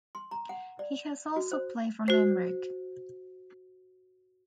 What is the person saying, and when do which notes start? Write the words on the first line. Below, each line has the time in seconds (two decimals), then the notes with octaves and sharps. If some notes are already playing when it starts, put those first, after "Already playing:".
He has also played for Limerick.
0.15 C6
0.31 A#5
0.49 F#5
0.79 D5
1.36 F#4
1.52 C5
2.08 F#4 C5